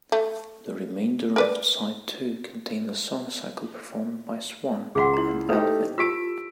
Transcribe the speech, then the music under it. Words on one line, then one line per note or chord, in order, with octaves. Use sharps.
The remainder of side two contained the song cycle performed by Swann and Elvin.
A3
A#4 B4 D5
C#2 G#4 F5 F#5 C6
E4 A#5
A3 D#4 G4 A4 B4 C5
F4 G4 A5 E6 B6 D7